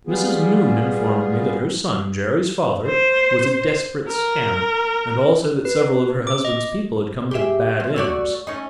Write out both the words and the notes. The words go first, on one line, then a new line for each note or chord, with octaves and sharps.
"Mrs. Moon informed me that her son--Jerry's father--was a desperate scamp, and also that several of her husband's people had come to bad ends."
G3 B3 F4 G#4
C5
A#4
B4
D6
D#5
G4 G#4 E5
F3
A3 F#4 D5
A3 C#4 D#4